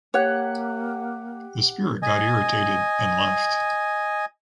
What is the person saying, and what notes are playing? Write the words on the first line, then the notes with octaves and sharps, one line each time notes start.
The spirit got irritated and left.
A#3 G4 C#5 F#5
D#5 G#5